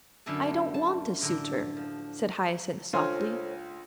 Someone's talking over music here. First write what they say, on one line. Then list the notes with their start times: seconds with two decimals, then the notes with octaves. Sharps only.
"I don't want a suitor," said Hyacinth softly.
0.26 F#2 D3 E4 A4
0.74 A5
1.21 A2 D3 A#5
1.77 F3
2.93 C#2 D4 F4 A4 C5 C#5 G#5 C6